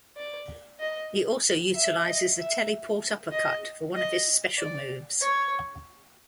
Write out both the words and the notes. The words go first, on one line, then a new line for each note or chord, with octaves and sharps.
He also utilizes a teleport uppercut for one of his special moves.
D5
D#5
E5
D#5
E5
D#5
D#5
D5
C#5